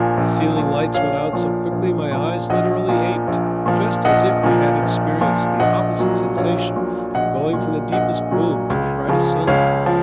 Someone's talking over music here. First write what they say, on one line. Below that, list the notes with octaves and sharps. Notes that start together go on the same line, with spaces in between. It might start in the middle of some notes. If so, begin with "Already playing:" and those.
The ceiling lights went out so quickly, my eyes literally ached, just as if we had experienced the opposite sensation of going from the deepest gloom to the brightest sunlight.
Already playing: A#1 A#2 F3 G#4
A#1
A#2 F3
A#1 C#5 F5
A#2 F3
A#1
A#2 F3
A#1 D#5 F#5
A#2 F3
A#1
A#2 F3
A#1 D#5 F#5
A#2 F3
A#1
A#2 F3
A#1 D#5 F#5
A#2 F#3
A#1 C#5 F5
A#2 F#3
A#1 D#5 F#5
A#2 F#3
A#1 D#5 F#5
A#2 F#3
C#2
C#3 F3
C#2 C#5 F5
F3